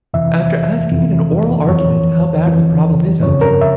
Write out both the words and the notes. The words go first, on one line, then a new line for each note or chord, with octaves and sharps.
After asking in oral argument, how bad the problem is out there?
F2 C3 E3 E5
F2 C3 E3
F2 E3 C#5
F2 E3
F2 C#3 F3 C#5
A#4
E5